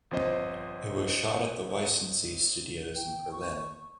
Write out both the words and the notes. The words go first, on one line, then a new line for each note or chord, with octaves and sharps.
It was shot at the Weissensee Studios in Berlin.
G1 F3 C4 C5 D#5
G5
C#6